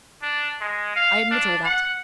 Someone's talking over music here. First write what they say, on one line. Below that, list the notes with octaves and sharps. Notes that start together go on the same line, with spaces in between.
I admit all that.
D4
G#3
F5
D4
F#5